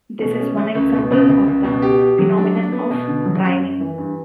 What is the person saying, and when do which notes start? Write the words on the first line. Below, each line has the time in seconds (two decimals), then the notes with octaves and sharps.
This is one example of the phenomenon of priming.
0.21 B2
0.39 C#4
0.57 A3
0.75 C#2
0.93 B2
1.12 C#2
1.29 C#2
1.48 C#2
1.64 B2
1.82 G4
2.01 G4
2.19 F#3
2.37 D4
2.54 D4
2.72 B3
2.91 B2
3.08 D3
3.26 F#3
3.44 F#2
3.62 F#2
3.80 E3
3.98 G2